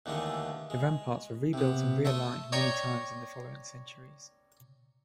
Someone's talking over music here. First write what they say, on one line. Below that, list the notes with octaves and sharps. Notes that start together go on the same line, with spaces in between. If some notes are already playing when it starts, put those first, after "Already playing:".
The ramparts were rebuilt and re-aligned many times in the following centuries.
D#2 D3 E3 G#3 A3
G#3
C3 B3
A3 C#5 E5 A5 C6 D#6
C#5 D5 G5 A#5 C#6 D#6